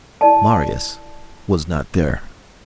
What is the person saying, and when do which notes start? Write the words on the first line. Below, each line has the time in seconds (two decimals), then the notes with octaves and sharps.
Marius was not there.
0.21 E4 D5 A5